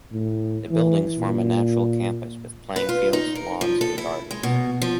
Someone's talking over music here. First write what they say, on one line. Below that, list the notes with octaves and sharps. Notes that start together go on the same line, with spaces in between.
The buildings form a natural campus, with playing fields, lawns and gardens.
A2
E3
A#2
B4
F4
D#4
A#4
F3
A4
E4
G#3
B2
F3